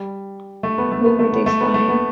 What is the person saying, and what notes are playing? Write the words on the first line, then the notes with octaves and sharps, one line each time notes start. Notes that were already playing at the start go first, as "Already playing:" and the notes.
Who were they spying?
Already playing: G3
A3
B3
A3
B3
A3
B3
A3
B3
A3
B3